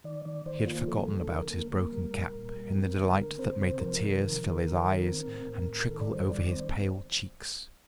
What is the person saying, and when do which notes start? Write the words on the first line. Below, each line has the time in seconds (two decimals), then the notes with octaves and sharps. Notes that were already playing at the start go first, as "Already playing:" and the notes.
He had forgotten about his broken cap in the delight that made the tears fill his eyes and trickle over his pale cheeks.
0.04 D#3 D5
0.25 D#3 D5
0.46 D#3 C5
0.66 A#3 F4
0.87 F3 A4
1.08 D3
1.30 D3 A#4
1.50 A#3
1.72 A#3 A#4
1.92 G3
2.14 A#2
2.34 A#2
2.55 G3
2.75 C4
2.97 D3
3.18 D3
3.38 C4 C5
3.60 C3
3.80 F3 A#4
4.00 C3
4.22 D#3 A#4
4.43 D#3
4.63 D#3
4.84 D#3
5.06 C4
5.27 A2
5.47 A2
5.68 A2
5.89 D#3 A4
6.01 D5
6.10 G3 C5
6.30 D#3 D5
6.51 C4 C5